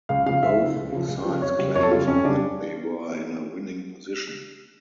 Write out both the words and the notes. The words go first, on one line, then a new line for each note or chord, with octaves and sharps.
Both sides claimed that they were in a winning position.
C#2 F5
C#3 F3 F5
C#2 E5
C#3 F3
C#2
C#3 F3
C#2
C#3 F3
F2 C#5
C#3 G3
F2 C#5
A4
C#3 G3 F4
F2 C#4
C#3 G3 D4